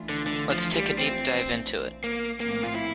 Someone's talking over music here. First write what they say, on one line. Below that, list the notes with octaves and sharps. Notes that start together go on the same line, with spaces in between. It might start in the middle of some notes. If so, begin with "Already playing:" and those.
Let's take a deep dive into it.
Already playing: E3 A3 D4 F4
D3
D3
F3
G3
C4
A#3
A2 F3 A3 A#3 C4
F4
E4